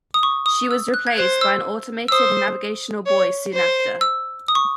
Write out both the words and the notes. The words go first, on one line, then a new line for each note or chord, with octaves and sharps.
She was replaced by an automated navigational buoy soon after.
D#6
C#6
D#6
E6
F#6
G#6
C5 F#6
E6
E6
C5 D#6
C#5
C5
E6
D#6
C#6